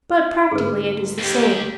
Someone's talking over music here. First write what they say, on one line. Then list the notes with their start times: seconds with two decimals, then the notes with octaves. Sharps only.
But practically it is the same.
0.51 A1 D2 G#2 G#4 B4
1.19 D#2 G4